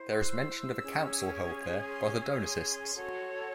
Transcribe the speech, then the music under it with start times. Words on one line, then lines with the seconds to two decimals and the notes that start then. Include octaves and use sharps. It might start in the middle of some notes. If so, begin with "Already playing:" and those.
There is mention of a council held there by the Donatists.
Already playing: E4 C5
0.10 F#6
0.27 E6
0.81 C#4 G#4 C#5
1.34 C#6
1.61 C6
1.87 C6
2.14 D#6
2.22 E6
2.30 D#6
2.41 C6
2.94 F#4 A4 C#5